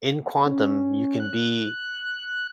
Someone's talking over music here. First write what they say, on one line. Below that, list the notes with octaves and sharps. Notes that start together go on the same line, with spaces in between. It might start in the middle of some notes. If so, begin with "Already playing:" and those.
In quantum, you can be
C#4
F#6